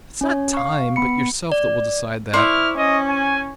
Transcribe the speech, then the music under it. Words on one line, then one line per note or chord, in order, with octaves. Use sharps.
It's not time, but yourself that will decide that.
C#4 C#5
F5 C#6
B3 B5 C#7
D5
E4 C5 D5 C#6 F6
C#4 D#5
G#5